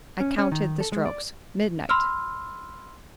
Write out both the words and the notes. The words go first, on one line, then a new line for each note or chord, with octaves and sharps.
I counted the strokes--midnight!
C#4
C#4
D#3
A4
G#3
D5
B5 C6 E6 F6